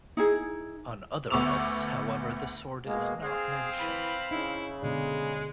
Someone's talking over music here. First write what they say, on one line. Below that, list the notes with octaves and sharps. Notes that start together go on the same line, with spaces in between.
On other lists, however, the sword is not mentioned.
D#4 E4 G#4
D2 B3 C#6 D6 E6 F7
B2 G#3 A#3
C4 G#4 F5
E3 B5
C#3 D#4 E4
B2 D3 G#3 D5